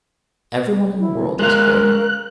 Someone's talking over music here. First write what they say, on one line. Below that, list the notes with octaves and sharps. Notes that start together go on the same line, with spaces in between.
Every one in the world is good.
E4
G#3 A#4 C5 F5 F#6